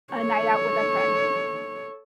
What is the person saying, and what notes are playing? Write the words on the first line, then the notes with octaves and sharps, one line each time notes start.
a night out with a friend.
A4 C#5